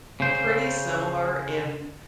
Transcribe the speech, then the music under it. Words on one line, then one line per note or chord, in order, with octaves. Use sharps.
pretty similar in
C#3 C5